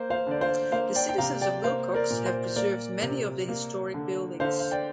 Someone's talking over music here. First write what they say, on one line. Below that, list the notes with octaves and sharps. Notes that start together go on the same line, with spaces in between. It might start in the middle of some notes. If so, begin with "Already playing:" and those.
The citizens of Willcox have preserved many of the historic buildings.
Already playing: A#3 C5
C5 F5
D3 D5
C5 F5
A#3 C5 F5
D5 G5
G5
C3 F5 A#5
D5 G5
A#3 C5 F5
A#4 D5
A#2
C5
A#3 A#4 D5
C3
A#3
D3
D3 C5 F5
F5
D5 G5